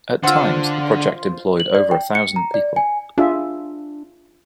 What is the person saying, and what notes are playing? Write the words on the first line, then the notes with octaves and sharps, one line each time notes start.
At times, the project employed over a thousand people.
D3 F4 C5 F#5 E6
F#7
D5
G5
C#7
A#5
D5
G#5
D4 F4 G#4 E5